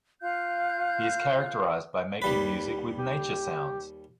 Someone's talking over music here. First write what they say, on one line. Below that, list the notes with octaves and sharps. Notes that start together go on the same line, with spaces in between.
He is characterized by making music with nature sounds.
F4 F5 F#6 G6
D#2 G3 B4
G4